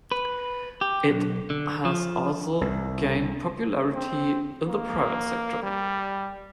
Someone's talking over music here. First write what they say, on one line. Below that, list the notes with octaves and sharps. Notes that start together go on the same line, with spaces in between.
It has also gained popularity in the private sector.
B4
G4
B1
D3
F3
C2
C4
A#3
G3